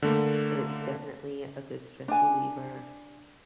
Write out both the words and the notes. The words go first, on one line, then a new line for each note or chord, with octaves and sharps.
it's definitely a good stress reliever,
D3 A3 A#3
D4 G#5